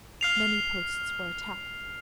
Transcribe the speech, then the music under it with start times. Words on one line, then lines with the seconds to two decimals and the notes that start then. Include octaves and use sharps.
Many posts were attacked.
0.21 F6 C7 F7